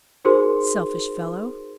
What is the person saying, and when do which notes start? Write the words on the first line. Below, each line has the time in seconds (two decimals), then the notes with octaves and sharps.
"Selfish fellow!"
0.25 D#4 F#4 G#4 A#4 C5 C6